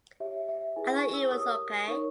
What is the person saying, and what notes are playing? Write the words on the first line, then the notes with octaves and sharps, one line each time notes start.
I thought it was okay.
G4 C#5 E5
E5
E4 G#4 B4 G#5
C#6
E6
G4 A#4 C#5 D#6
D#4 A#4 C#5 C#6